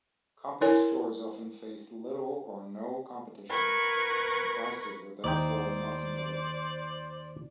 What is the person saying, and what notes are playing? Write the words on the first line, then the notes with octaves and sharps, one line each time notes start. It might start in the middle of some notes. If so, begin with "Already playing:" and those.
Company stores often faced little or no competition and prices were therefore not competitive.
E4 A#4 C#5 G#5
A#4 B4 C#6 G#6
D#2 D#4 C5 D5 G5